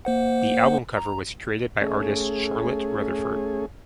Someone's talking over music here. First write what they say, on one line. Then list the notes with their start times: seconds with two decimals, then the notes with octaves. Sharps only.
The album cover was created by artist Charlotte Rutherford.
0.05 A#3 C5 F#5
0.97 A#5
1.81 A3 C#4 G#4